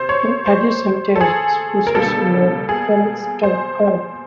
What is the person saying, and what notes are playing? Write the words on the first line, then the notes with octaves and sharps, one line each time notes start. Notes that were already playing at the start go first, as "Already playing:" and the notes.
In addition, "Terrorist" features Slayer vocalist Tom Araya.
Already playing: C3 C5
C#5
C5
A4
G#4
A#4
B2 G3 A#3 A4
G#4
C5